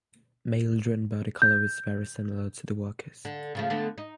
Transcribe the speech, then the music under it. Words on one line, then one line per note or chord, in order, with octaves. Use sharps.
Male drone body colour is very similar to the workers.
G6
D3
C#3 F3 A3
D3 A3 B3
D#4